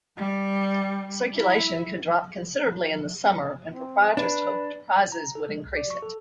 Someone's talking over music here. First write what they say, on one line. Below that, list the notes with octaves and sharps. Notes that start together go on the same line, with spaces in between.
Circulation could drop considerably in the summer and proprietors hoped prizes would increase it.
G3
E4
C4
D4 B4
A#5
A4
G#3
C2
D5
C#6
A4